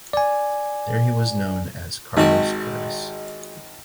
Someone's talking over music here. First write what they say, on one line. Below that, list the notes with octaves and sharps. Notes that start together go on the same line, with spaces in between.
There he was known as Carlos Curtiss.
D5 G#5
G#1 G#3 F#4 G4